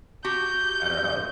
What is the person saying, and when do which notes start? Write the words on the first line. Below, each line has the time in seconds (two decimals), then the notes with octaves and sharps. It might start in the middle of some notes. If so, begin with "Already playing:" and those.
at our health.
0.24 F#4 G4 G6